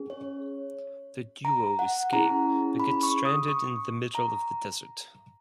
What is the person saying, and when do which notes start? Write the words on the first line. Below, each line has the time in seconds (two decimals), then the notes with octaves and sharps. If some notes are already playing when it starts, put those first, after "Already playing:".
The duo escape but get stranded in the middle of the desert.
Already playing: C#4 G#4
0.10 C#5
1.45 A#5
1.79 F#5
2.13 C#4 E4 G#4 A#5
2.80 B5
3.03 C#6
3.25 D#6
3.48 C#6
4.15 A#5